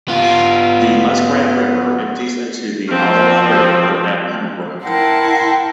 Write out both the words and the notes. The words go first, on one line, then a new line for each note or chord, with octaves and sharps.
The Muskrat River empties into the Ottawa River at Pembroke.
B3 F4
F3 C4
E4 A#4 F#5 G5 A5 C6